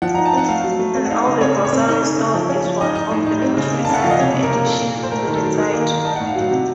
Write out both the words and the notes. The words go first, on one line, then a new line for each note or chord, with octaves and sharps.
An Aldi grocery store is one of the most recent additions to the site.
F3 F#5
D#4 A#5
A5
C4 F#5
A3 F5
F#3
A3
C4
F#5
D#4 F5
C#3 D#5
C4 C#5
A2
C#5
C4
D#4
C#3
C#3
F3
C#4
F3
D#4 D#5
D#4
A2
D#4
C4
C#3
A#3
A5
C#3 F#5
F3 F5
D#5
C3 C#5
C3
A#4
A#3
A#2 A4
A#2
A#2
C5
A3 A#4
D#3
A4
F#3
D#3 A#4
A#3
A#4
D#3
D#4 A5
A2 F#5
F5
F#3 F#5
C3